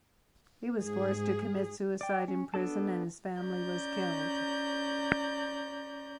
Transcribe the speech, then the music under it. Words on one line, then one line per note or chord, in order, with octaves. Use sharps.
He was forced to commit suicide in prison, and his family was killed.
G#2 G#4
D5 G5
C#4
B3 D4 A4 A5
C#4 D5 A#5 G6